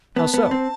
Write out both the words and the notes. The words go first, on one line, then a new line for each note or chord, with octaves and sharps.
"How so?"
B3 A5
B3
C4